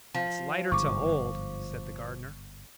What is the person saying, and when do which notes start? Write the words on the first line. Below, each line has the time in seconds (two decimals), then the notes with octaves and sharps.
"It's lighter to hold," said the Gardener.
0.15 F3
0.72 G1 G#2 C#6 D6